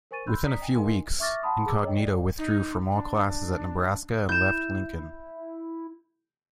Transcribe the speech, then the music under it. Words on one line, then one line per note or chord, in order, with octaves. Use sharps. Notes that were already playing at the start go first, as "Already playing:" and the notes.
Within a few weeks, Incognito withdrew from all classes at Nebraska and left Lincoln.
A#4 C5 G#5 C#6 A6 D#7
B5 C6 E6 F#6 G6
D5 A#5 D#6 B6
D#5 G5 G#5
D#4 A#4 D#5 F5 G#5 C6
E5 C#6 D6 F6 A6 A#6
F#5 G#5 A5 B5 C6 D#6
G#4 A#5 D6 E6
C#5 D#5 G5
D5 G5
D#4
D4
E4 G6 E7